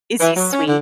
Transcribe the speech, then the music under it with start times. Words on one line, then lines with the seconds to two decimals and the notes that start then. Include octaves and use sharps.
Is he sweet?
0.20 E3
0.36 F#3
0.53 C#4
0.67 D3